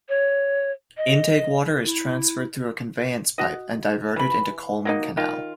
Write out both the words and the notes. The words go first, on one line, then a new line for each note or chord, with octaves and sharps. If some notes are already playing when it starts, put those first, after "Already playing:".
Intake water is transferred through a conveyance pipe and diverted into Coleman Canal.
C#5
D#5
E4
F#4 D#5
E3 B5
F#3 A#3 D#4
D#3 F4